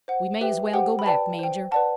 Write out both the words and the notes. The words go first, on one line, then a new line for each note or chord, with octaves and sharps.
We may as well go back, major.
C5 F#5
G4 B4 E5 G5
G4 C5 F#5 G5
B5
B4 D5 G5 A5
C5 G5
B4 D5 F#5 A5